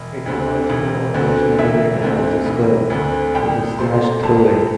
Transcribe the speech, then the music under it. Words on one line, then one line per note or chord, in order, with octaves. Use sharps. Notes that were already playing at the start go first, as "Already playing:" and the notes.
It is also occasionally written as a square with a slash through it.
Already playing: E1
D2 D3 C4
E1
D2 D3 C4
E1 E5
D2 D3 C4
E1
D2 D3 C4
C2 G5
C3 A3 C4 C6
C2 A5